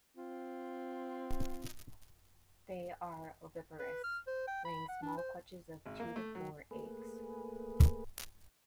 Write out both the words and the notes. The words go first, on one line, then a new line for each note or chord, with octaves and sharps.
They are oviparous, laying small clutches of two to four eggs.
C4 F4
B4
F6
C5
G5
B5
F#5
D4
C5
G#1
A#3
A3
F#3
A3 A#3 G#4 B4